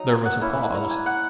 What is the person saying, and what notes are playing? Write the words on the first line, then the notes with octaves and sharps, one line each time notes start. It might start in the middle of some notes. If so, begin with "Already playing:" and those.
There was a pause.
Already playing: F#3 D#4 D#5 A#5
G#5
F#5
A#3 C#4 E4 B5
B5
A#5
G#5
F#5